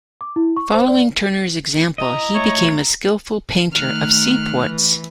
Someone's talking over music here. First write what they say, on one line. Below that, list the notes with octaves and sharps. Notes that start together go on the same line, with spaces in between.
Following Turner's example, he became a skillful painter of seaports.
D6
E4
C#6
C5
D5
E4 D#5 A#5
A3 C#5
D#3 A3 F6 F#6
E3